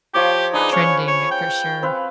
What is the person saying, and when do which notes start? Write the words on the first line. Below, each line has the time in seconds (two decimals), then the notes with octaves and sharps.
trending, uh, for sure.
0.14 F3 G4 C#5 D6
0.53 D4 D#4 G#4 B4
0.72 C#4 C#5
1.08 C#5
1.31 G5
1.82 C4 B4 F5